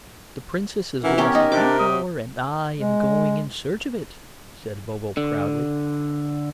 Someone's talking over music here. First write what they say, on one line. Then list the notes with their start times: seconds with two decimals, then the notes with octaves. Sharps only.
"The Princess has lost a half-hour and I am going in search of it," said Bobo, proudly.
1.04 D#3 E3 C#4 F#4 A#4
1.18 B3 C#4 G4 A#4
1.35 D#3 D#4
1.52 C3 D4 D6
1.79 D#6
2.77 G#3
5.17 D3